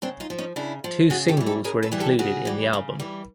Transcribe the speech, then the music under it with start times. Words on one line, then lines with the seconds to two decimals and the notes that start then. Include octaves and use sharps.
Two singles were included in the album.
0.02 C#3 C4 D4
0.20 D#4 F4
0.30 F3
0.38 C#4 D#4
0.56 C#3 D4 E4
0.84 F3
1.10 C#3 F#4 G#4
1.28 G4 A4
1.37 E3 G3
1.46 G4 A4
1.64 C#3 G#4 A#4
1.83 A4 B4
1.92 E3 G3
2.00 G4 A4
2.19 C#3 F#4 G#4
2.45 E3 G3
2.73 C#3
3.00 E3 G3